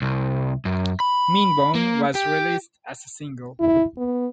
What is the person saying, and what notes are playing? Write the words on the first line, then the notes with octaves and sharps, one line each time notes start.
"Mean Bone" was released as a single.
C2
F#2
B5
A#3
G4
E4
B3